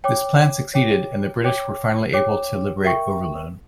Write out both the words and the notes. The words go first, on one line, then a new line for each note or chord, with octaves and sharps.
This plan succeeded, and the British were finally able to liberate Overloon.
C#5 G5 D6
C#5 G5 D6
C#5 G5 D6
C#5 G5 D6
A#4 E5 G5 C#6